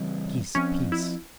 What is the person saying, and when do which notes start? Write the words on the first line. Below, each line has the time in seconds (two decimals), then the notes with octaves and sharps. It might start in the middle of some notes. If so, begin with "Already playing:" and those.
Peace, peace!
Already playing: C#3 E3 G3 C4
0.55 F3 C4 C#4
0.92 E4